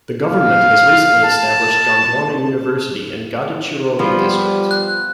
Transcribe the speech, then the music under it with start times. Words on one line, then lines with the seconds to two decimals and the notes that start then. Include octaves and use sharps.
The government has recently established Gondwana University in Gadhchiroli district.
0.23 F5
1.24 A5
3.99 F3 G3 B3
4.71 F#6